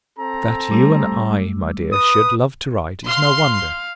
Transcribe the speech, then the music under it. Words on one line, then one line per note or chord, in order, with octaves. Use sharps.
That you and I, my dear, should love to write, is no wonder.
C4 A4 A#5
G3 A3
B4 D#6
F5 C6